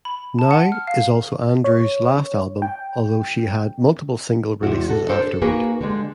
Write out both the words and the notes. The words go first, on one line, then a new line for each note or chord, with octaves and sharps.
"Now" is also Andrews' last album, although she had multiple single releases afterward.
B5
A5
F#5
F6
F5
C#5
G5
E2 C3 G#3 E4 F#4
F#4 A4
D4 A4 A#4 C5
A4
A#3 D#4 F#4 G#4 A#4 B4
D3 G3 G#3